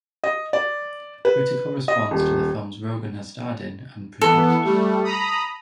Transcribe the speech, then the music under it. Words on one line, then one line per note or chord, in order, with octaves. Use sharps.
Critical response to the films Rogen has starred in and produced.
D#5
D5
B4
D#5
D#1
E3 B3 A4
G3 A3
A#5 B5 D#6